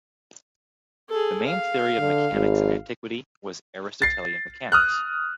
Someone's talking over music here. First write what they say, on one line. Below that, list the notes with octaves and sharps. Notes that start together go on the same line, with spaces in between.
The main theory of mechanics in antiquity was Aristotelian mechanics.
G#4 A4
F5
D3
G#1
A6 C7
D#6 F6 F#6